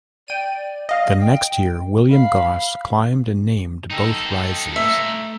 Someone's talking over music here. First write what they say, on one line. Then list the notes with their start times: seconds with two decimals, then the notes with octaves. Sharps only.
The next year, William Gosse climbed and named both rises.
0.28 D5 G5 D#7
0.89 D#5 F5
1.21 G5
2.10 F5 B5
3.90 D#4 A4 G5
4.76 A3 E5